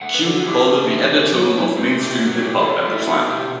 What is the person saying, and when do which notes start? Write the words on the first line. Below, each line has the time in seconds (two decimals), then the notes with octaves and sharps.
"Q" called it "the epitome of mainstream hip hop" at the time.
0.02 A3 F#5
0.14 B4
0.23 D3 A4
0.45 E4 G4
0.67 D3
0.89 A3
1.11 D3
1.33 F#3
1.55 E4
1.77 C4
1.98 B2 G4
2.21 F#3 F#4
2.36 F#4
2.42 E4 G4
2.65 F#3 A4
2.85 E4 A4
3.07 B3 F#4
3.29 B2 G4